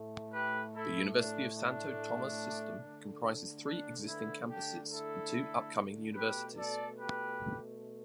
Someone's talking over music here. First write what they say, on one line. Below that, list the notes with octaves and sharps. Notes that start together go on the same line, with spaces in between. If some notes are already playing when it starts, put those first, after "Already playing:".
The University of Santo Tomas System comprises three existing campuses and two upcoming universities.
Already playing: A2 A3
G4 B4
E4 A4
D4
D4
D3 A3
D4
B3 E4
D4 G4
E4 A4
B2 A3 G4 B4
A4 D5
G4 B4